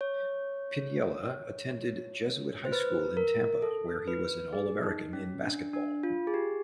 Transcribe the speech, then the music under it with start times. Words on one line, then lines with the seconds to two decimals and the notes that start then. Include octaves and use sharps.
Piniella attended Jesuit High School in Tampa, where he was an All-American in basketball.
0.01 C#5
2.65 C5
2.72 B4
3.17 A#4
3.62 A4
4.08 B4
4.53 G#4
4.83 D#4
5.13 C#4
5.43 D4
5.73 D4
6.03 F4
6.27 G#4
6.34 G4